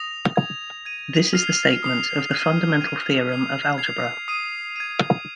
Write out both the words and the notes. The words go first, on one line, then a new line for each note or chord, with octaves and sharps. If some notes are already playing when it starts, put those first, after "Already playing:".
This is the statement of the "fundamental theorem of algebra".
Already playing: D#6 A#6 F7
G#6 F7
G#6 D#7
F6 C7 F7
D#6 C7 F7
F6 G#6 D#7
G#6 D#7
G#6 C7 F7
G#6 C7 F7
D#6 C7 D#7
G#6 D#7